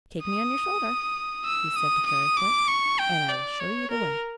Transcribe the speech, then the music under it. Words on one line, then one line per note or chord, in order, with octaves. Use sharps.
"Take me on your shoulder," he said to Fairyfoot, "and I will show you the way."
D#6
E6
D#6
D#6
D6
C#6
G5
D5
C#5
A#4